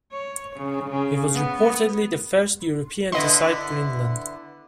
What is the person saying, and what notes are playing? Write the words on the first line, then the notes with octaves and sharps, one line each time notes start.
He was reportedly the first European to sight Greenland.
C#5
C#3
C#3
B3
D3 B3 E4 D#5 C6